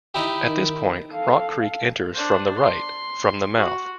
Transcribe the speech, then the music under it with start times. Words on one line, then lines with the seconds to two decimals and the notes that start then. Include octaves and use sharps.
At this point, Rock Creek enters from the right from the mouth.
0.14 D#4 E4 G4
0.47 D#3
1.12 A4 F5
2.14 D4 C5
2.55 C6
3.55 F#4